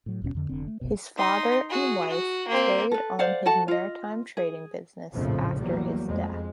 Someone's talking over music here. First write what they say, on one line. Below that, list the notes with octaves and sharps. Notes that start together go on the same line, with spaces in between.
His father and wife carried on his maritime trading business after his death.
A2 F#3
D#1 D#2 B2 C#4
F2 D3
F1 D3 C4
A3
F#1 C2 B2
D#4 C6
F#4 G#4
F#4
A#3 C4
A4 B4
C5 D5 F5 F#5
F#4 A4 F#5 A5
F4 D#5
G#4
A#1 F2 A2 C#3 F3 A3
E2 A2 F#3 G3 A#3
F2 G#3